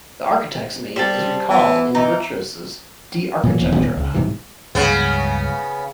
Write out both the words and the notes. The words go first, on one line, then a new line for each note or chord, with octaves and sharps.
The architect's name is recalled in Vitruvius's "De architectura".
G3 A4 C5
E3 B3
E3 D#4
A#2 E3 F#3
D#1 E2 F#3
D#1 A#2 D#3 B3
C#2
B1 G#2 C3 E3
C#2 G2 C#3 B3